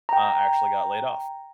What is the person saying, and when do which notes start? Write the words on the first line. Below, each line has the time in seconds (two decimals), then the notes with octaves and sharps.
uh, I actually got laid off,
0.09 G5 A#5